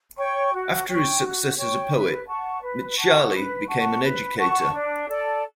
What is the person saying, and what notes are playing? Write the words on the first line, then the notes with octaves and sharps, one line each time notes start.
After his success as a poet, Mtshali became an educator.
C#5 G5 C#6
F#4
C#5 G5 C#6
F#4
C#5 G5 C#6
B4
F#5 A5 C#6
B4
F#5 A5 C#6
B4
F#5 A5 C#6
B4
F#5 A5 C#6
D4
A4 D5